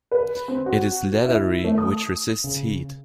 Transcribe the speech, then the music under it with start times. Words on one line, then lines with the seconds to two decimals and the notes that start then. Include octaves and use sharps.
It is leathery which resists heat.
0.11 B4
0.48 C4
0.66 F#4
1.25 E4
1.64 A3
1.78 D#6
2.44 C#3